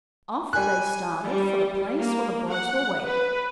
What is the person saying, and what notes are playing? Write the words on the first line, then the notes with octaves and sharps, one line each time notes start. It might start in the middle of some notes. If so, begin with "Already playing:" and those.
Off they started for the place where the boys were wading.
G3 G#5 F#6
G3
A#3
F#5
B4